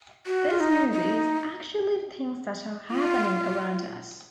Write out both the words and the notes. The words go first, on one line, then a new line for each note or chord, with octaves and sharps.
This movie is actually things that are happening around us.
F#4
F4
D#4
D#4
F4